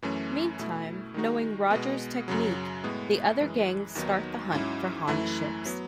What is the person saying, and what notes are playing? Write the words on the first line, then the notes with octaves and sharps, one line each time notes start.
Meantime, knowing Rogers' technique, the other gangs start the hunt for Han ships.
F#2 E3 A3 C#4
B2 A3 E4
D#3 G#3 D#4 F#4
B2 G#3 B3
F#2 C#3 F#3
A2 G#3 B3
F#2 E3 G#3
D#2 D#3 F#3 B3 D#4
G#2 F#3 C#4 E4
F#2 E3 A3 E4
F#3 B3